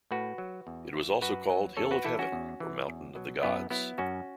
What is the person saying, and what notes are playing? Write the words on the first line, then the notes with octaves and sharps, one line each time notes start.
It was also called Hill of Heaven or Mountain of the gods.
A2 F#4 B4
F#3
E2
E3
F#2 F#4 B4
F#3
E2 A4 C#5
F#4 B4
E3 E4 A4
C#4 F#4
E2
E3
E2
B2 F#3
F#2 B3 E4
F#3 B3 E4
F#2 C#4 F#4